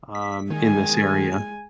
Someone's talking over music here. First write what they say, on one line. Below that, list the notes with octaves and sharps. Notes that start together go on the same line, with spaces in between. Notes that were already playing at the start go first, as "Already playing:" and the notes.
um, in this area,"
B6
D#3 G#3 G#5